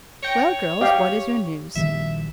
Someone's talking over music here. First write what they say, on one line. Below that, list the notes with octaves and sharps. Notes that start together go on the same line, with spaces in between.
"Well, girls, what is your news?"
C#5 G5 A#6 C#7
G4 D#5 F5 G5
A#1 D#3 G3 E5